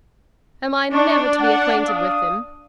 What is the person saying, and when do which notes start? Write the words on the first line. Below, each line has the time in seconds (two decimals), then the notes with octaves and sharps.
Am I never to be acquainted with him?
0.93 D4 D#4 A5 C#6
1.41 F#5
1.87 F5 D#6